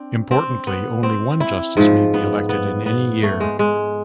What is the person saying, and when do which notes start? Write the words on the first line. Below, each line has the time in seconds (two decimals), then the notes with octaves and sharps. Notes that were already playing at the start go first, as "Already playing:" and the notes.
Importantly, only one justice may be elected in any year.
Already playing: C4 D4
0.31 C4
0.67 B3
1.03 C4
1.40 E4
1.77 G#2 F3
2.14 B3
2.49 B3
2.86 B3
3.23 A3
3.40 G#3
3.59 G#3